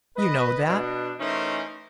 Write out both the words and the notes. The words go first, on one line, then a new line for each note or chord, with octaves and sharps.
You know that.
B4 D#5
B2 D4
E3 A3 C#4 D#4 A#4 C5